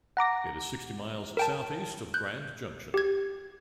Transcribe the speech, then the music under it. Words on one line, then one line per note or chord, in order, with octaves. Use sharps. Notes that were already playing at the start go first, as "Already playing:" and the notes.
It is sixty miles southeast of Grand Junction.
F#5 A#5 D6 A#6
A#4 G5 A5
F#6 G6
G4 G#6